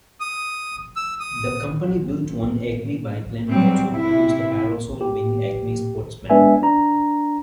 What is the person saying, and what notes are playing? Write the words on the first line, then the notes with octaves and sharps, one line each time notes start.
The company built one Acme Biplane and also produced the parasol wing Acme Sportsman.
D#6
E6
D#6
F#3 G3 C4
C3 E4
G4
G#3 B3 D4 B4 E5 G#5
D4 A#5